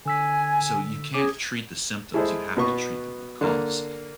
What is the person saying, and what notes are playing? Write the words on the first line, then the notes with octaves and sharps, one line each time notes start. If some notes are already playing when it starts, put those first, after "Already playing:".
So you can't treat the symptoms, you have to treat the root cause
D3 G#5 E6 B6
C#4 G#4 D6
G#3 E4 G#4 A4 C5
B2 B3 C#6
D3 A#3